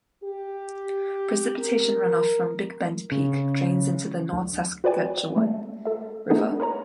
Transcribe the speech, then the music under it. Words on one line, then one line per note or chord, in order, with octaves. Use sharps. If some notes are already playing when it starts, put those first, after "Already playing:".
Precipitation runoff from Big Bend Peak drains into the North Saskatchewan River.
G4
A#4
C#3
D2
F#4 B4 C5 D5 G5 G#5
G#3 A3
A4 E5
A3 B3 D4 D#4 G#4 A4
A#4 B4 C#5 A#5